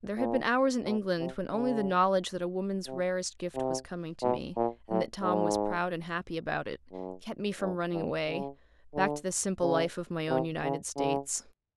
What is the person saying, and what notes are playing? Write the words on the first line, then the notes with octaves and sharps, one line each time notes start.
There had been hours in England when only the knowledge that a woman's rarest gift was coming to me, and that Tom was proud and happy about it, kept me from running away--back to the simple life of my own United States.
A#2
B2
C3
C#3
C3
C3
B2
A#2
A2
G#2
F#2
G2
G2
C#3
D3
C#3
C3
C#3
C#3